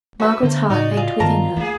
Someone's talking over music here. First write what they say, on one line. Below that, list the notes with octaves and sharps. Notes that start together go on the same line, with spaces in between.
Margaret's heart ached within her.
C#4 F#4 B4 E5
D3 A3 B3 C5
A2 C#3 D#4 F#4 D5 D#5
F4 G#4
G2 D#3 B3 A#4 A5 A#5
D#2 A3 A#3 G#4